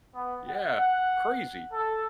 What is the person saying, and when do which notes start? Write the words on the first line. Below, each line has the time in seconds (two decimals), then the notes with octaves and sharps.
Yeah, crazy.
0.16 B3
0.48 F#5
1.72 A4